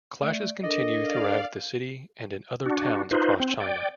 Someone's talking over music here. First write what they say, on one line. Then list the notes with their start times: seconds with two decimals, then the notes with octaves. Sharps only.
Clashes continued throughout the city and in other towns across China.
0.22 A3 D5
0.64 D4 A4 A#4 D#5
1.00 D5 F5
2.66 D4 F#4
3.11 D#4 F4 B4 C5
3.40 C4
3.60 D5 G5